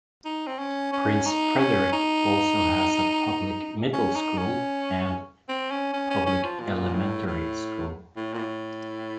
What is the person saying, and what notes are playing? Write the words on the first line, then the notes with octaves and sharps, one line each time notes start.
Prince Frederick also has a public middle school and public elementary school.
D#4
C4
C#4
C#4
D#4
C#4
D#4
C#4
D#4
C#4
C4
C#4
C#4
C#4
C#4
F3
A#2
A2
A2
A2
A#2
A2